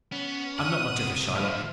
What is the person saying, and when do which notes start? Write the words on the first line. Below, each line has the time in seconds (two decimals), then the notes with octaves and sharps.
I'm not much of a Shylock.
0.12 B3 C#4
0.59 F#5 D#6 F6
0.96 C#2 C3
1.35 A2 D3 F3 E5 F6